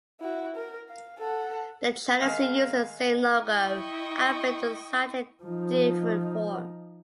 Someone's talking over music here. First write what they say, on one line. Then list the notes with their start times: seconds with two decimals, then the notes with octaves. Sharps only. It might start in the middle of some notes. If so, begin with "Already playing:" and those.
The channel still uses the same logo, albeit in a slightly different form.
0.20 E4 F#4
0.55 A#4
0.88 F5
1.18 A4 F#5
2.22 D#3 G#3 F5
3.43 E4 D#5 G5 C#6
5.43 F3 D#4